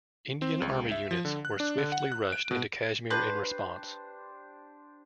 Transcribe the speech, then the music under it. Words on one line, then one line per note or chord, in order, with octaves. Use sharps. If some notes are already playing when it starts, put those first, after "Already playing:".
Indian army units were swiftly rushed into Kashmir in response.
C4
C#2
E5
F3
D3
F#6
D4
D3
F#5
F#6
D7
B2
D4 G4 B4 C5